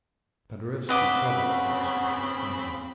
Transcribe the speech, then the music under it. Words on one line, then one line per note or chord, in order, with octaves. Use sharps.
Paderewski travels on a special train.
C#3 C4 B4 D#5 F#5 B5 D6